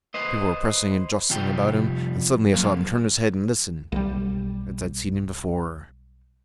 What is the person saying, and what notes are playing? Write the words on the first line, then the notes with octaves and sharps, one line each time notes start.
People were pressing and jostling about him, and suddenly I saw him turn his head and listen, as I'd seen him before.
B4 C5 D#5
F2 C3 G3 F4 G5
C2 F#2 F#3 A#3 F5
B1 G3